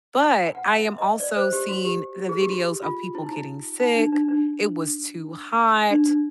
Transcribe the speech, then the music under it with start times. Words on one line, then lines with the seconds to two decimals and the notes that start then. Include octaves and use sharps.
but I am also seeing the videos of people getting sick, it was too hot,
0.23 G5
0.44 G5
0.55 F#5
0.77 E5
0.98 D#5
1.20 D5
1.36 C5
1.53 G4
1.69 F#4
1.85 G4
2.29 G#4
2.40 G4
2.50 F#4
2.82 F4
3.15 E4
3.22 D#4
3.29 E4
3.80 D#4
3.96 D4
4.12 D4
4.29 D4
5.91 D4
6.07 D4